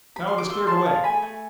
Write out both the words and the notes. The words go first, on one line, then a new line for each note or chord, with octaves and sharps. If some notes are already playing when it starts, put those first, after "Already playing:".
Now it has cleared away!
B5
C6
D6
A3 C6 E6
G#4 A5 C6
G#4 F5 A5
A3 G#5 B5
A3